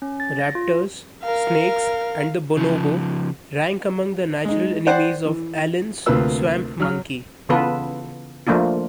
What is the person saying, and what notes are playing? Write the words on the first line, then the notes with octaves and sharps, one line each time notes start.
Raptors, snakes, and the bonobo rank among the natural enemies of Allen's swamp monkey.
C#4
A6
A#6
F4
A#4 F5
C#3 F3
G#3 D#4
C5 D5 F#5 G5
E3
D2 C3 A#3 F4 B4 E6
F#3 F6
C#3 E3 B3 F4 A4 B4
F3 A3 A#3 D4 F4